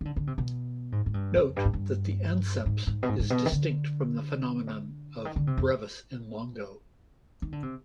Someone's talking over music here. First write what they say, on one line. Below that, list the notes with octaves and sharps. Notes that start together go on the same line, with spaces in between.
Note that the anceps is distinct from the phenomenon of "brevis in longo".
D#3
D3
D3
C3
B2
G#2
G#2
G2
F2
G2
G#2
G2
G#2
G#2
B2
G#2
G#2
B2
D#3
D3
D#3
D3
C3
F2
D#3
D3
C3